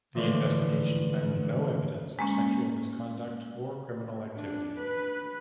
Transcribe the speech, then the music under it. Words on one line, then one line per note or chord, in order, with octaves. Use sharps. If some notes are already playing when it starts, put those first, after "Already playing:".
The investigation found no evidence of sexual misconduct or criminal activity.
A2 D3 E3 F3
G#3 A#3 C#4
D4
B4